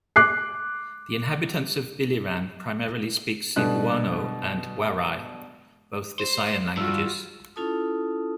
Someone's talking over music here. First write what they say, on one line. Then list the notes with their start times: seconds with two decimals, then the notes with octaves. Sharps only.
The inhabitants of Biliran primarily speak Cebuano and Waray, both Visayan languages.
0.16 D6 F#6 C7
3.56 B2 D3 G3 F#6
6.19 C5
6.77 G2 F4 F#4 E6
7.56 C#4 E4 F4 A4 A5 D#6